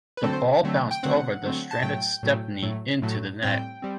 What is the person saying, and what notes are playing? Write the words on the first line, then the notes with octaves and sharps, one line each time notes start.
The ball bounced over the stranded Stepney into the net.
B4
D3 F#3 A3 C4 A4
C5
D3 F#3 A3 C4
G5
D3 F#3 A3 C4 F#5
D3 F#3 A3 C4
A5
A2 F#3 A3 G5
A2 F#3 A3
A2 F#3 A3
A2 F#3 A3
A2 G3 C4 G5
G3 C4